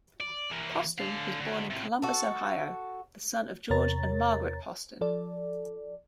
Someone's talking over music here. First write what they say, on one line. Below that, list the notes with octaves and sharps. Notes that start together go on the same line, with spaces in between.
Poston was born in Columbus, Ohio, the son of George and Margaret Poston.
D5
E3 A#3
D3 F5
D2
A2 C3
F#4 A4
E2 C3 A#4 C#5 A#5 A6
F3 A4 D5